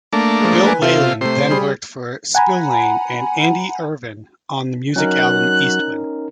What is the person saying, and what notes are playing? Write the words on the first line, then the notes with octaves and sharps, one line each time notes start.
Bill Whelan then worked for Spillane and Andy Irvine on the music album "EastWind".
A3 A#3 D4
F3 G#3
B4 G#5
C3 F4 A4 E5 F5
C3 A3 C5
G3 G#4 B5
F#5 G#5 A#5 B5
F#3 C#4 D#4 A#4 F#6